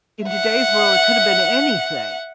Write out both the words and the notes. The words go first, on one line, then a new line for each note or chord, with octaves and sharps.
in today's world, it could have been anything,
E5 F#5